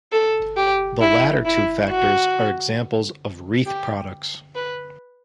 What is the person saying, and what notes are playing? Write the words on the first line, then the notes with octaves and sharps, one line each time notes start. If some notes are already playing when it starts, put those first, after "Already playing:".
The latter two factors are examples of wreath products.
A4
G4
E4
E4
F#4
G4
B4